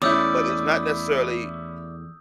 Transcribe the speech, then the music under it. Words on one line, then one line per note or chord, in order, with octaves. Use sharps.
but it's not necessarily,
E2 A3 C#4 E4 D5 D#6 E6 G6